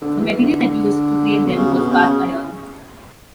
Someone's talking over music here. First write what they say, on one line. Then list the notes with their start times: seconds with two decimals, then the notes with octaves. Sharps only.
The material that was used to create them was cast-iron.
0.01 D3
0.19 E3
0.36 D3
1.45 B2
1.56 C#3
1.73 B2
1.91 C#3